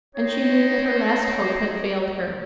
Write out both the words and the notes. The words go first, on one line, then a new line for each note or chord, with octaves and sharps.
And she knew that her last hope had failed her.
C4 D#4 C#5